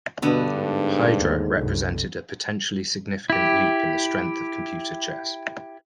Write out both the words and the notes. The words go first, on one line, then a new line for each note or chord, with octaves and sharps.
Hydra represented a potentially significant leap in the strength of computer chess.
G2 B2 D3 B3
G#2
D#2
C2 F#2
E4 G4